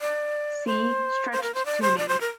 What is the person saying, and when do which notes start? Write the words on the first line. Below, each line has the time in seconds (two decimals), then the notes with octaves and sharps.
See: stretched tuning.
0.01 D5
0.67 C5
1.32 C5
1.43 A#4
1.55 C5
1.66 D5
1.82 C5
1.98 D5
2.09 C5
2.21 A#4